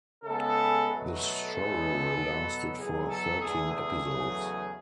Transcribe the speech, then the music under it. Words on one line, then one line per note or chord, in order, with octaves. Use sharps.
The show lasted for thirteen episodes.
C#3 G#3 B3 A4
B2 F#3 A3
A4
E2 C#3 G#3 B3
B2 F#3 B3
E2 B2 F#3 G#4
A4
E2 D3 A3 G#4
G#4
E2 C#3 F#3 A3